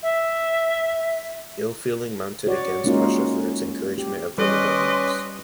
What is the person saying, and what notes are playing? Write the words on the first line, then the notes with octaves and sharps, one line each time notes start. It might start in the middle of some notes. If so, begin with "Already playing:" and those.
Ill feeling mounted against Russia for its encouragement of the rebellions.
E5
F#4 C#5 D5
G#3 A#3 C#4 D#4 F4 F#4
G4
G3 C#4 B4 D#5 C6 D6